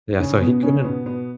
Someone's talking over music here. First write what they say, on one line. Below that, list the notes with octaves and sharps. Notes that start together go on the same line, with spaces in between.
Yeah, so he couldn't
C#3 C#4
B2 B3
C#3 C#4
B2 B3
B2 B3